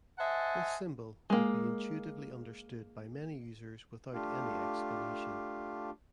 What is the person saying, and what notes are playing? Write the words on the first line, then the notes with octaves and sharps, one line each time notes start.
This symbol would be intuitively understood by many users without any explanation.
C5 D#5 E5 F#5 G#5 A5
G#3 A#3
A3 D4 F4 G4 F5